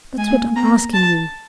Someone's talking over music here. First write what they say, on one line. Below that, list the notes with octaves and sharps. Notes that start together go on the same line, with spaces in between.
That's what I'm asking you!
G#3 G#5
A#3
A#3
B3 A#5
A#3
A5